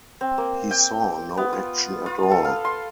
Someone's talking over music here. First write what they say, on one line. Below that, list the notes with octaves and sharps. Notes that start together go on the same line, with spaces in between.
He saw no action at all.
C4
A#3
G5
B3
F4
F4
A4
F5
C6